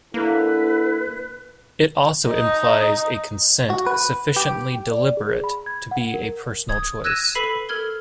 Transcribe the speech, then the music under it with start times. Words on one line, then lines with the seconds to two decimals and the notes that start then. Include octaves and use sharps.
It also implies a consent sufficiently deliberate to be a personal choice.
0.14 D3 A#3 E4 B4
2.27 D#4
3.70 F#4
3.87 B4
4.36 G4
4.91 D5
5.17 G#4
5.44 B5
5.66 G#6
5.91 F#5
6.14 A#4
6.69 D#6 G#6
7.04 E6 F#6 G#6 A#6 D#7 E7
7.35 A4 B4 B5 B6 C7 D#7
7.69 A4 A#4 F6 G#6 G7